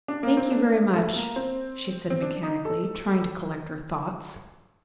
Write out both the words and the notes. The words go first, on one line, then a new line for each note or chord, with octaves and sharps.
"Thank you very much," she said mechanically, trying to collect her thoughts.
D4
A#3
C4
D4
A3
A#3
C4
C4
D4
D#4
A4